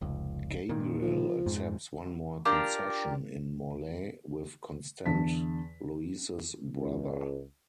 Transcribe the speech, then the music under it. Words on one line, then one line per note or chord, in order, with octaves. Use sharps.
Gabriel accepts one more concession in Morlaix with Constant, Louise's brother.
F1 C#2
A#2 D#3
F3
F2 G#2
D4 F4 G4 A#4
E2 D3 A5 B6
C#2